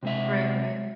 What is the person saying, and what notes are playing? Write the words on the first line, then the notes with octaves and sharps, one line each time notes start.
Right. Right.
C3 G#3 E5